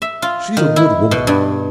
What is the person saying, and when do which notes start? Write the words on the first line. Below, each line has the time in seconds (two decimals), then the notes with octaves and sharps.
She's a good woman.
0.02 E5
0.22 F4
0.57 D#3
0.76 E4
1.11 B2
1.27 G2